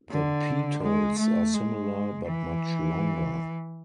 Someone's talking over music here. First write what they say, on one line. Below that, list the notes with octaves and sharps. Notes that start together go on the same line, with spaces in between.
The petals are similar but much longer.
D3
G#3
A3
G#3
E3